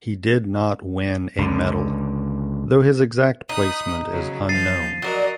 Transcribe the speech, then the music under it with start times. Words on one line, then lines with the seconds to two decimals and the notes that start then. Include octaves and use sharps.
He did not win a medal, though his exact placement is unknown.
1.38 C#2 D3
3.49 D#4 B5 D#6 F#6
4.10 C#3 F#3
4.49 F3 F5 G6 A6 C7 D#7
5.02 F#3 D4 F#4 A#4 D#5